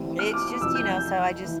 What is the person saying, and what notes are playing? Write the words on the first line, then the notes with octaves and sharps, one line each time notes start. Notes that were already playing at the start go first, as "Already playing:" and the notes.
It's just, you know, so I just
Already playing: A2 E3 G3 C4
F6
D6
D6
F2 C3 E3 E6
G6
G6
E3